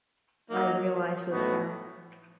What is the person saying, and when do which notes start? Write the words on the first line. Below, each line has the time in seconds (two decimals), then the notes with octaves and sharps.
I realize this now.
0.48 F#3 A#3 D#4
1.28 A2 F#3 B3 D#4 F#4